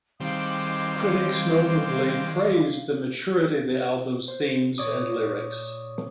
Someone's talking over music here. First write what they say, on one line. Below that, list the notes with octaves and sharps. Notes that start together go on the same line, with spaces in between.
Critics notably praised the maturity of the album's themes and lyrics.
D#3 G3 G#3 C4 F5 D6
C5
A#2 C#5 D5 D6 D#6